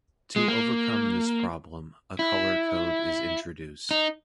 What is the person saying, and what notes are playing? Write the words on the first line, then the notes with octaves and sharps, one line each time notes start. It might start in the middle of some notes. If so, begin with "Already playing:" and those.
To overcome this problem, a color code is introduced.
G#3
A#3
E4
D#4